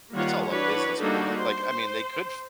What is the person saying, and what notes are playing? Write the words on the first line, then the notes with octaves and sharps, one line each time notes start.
It's all a business plan, like, I mean, they could f
D#3 G3 A#3 F4 C#5 F#5
E3 D4 F#4 B4 C#5
G3 A#3 D4 D#4 F#4 A4
C5